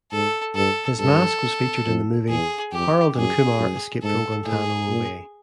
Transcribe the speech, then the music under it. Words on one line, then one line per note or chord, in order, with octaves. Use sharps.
His mask was featured in the movie "Harold and Kumar Escape From Guantanamo Bay".
G#2 A4
G2 A4
G2 A4
F2
E2 G#4
F2 G4
F#2 G#4
F#2
G#2 A4
A2 G#4
A#2